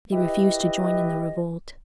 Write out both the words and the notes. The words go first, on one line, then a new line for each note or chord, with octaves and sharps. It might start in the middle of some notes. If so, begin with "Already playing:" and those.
They refused to join in the revolt.
E4 G4 B4 D#5